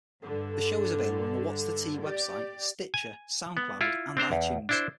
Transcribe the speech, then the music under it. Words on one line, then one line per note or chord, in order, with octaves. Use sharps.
The show is available on the What's The Tee website, Stitcher, Soundcloud and iTunes.
G2 D3
G4 D5
G#5
B3
E4 F4
C4 D4 C5 A#5
E2
D4 E4 C5